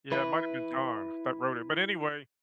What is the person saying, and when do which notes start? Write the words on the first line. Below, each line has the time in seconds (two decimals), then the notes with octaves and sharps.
Yeah, it might have been John that wrote it but, anyway,
0.12 E4 B4